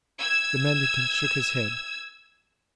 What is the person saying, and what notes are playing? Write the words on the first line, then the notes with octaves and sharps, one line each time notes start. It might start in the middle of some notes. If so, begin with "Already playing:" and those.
The mendicant shook his head.
E6 G#6